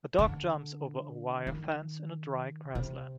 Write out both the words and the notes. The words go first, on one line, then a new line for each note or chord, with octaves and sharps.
A dog jumps over a wire fence in a dry grassland.
D3
D#3
C3